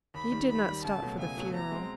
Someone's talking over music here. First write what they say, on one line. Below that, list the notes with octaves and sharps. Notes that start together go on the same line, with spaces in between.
He did not stop for the funeral.
D#2 B5
D#3 G3
D#2 B5
D#3 G3
C#2 A5
B2 F#3 A3
C#2 G#5
B2 F#3 A3
B2 A#5
G#3 C4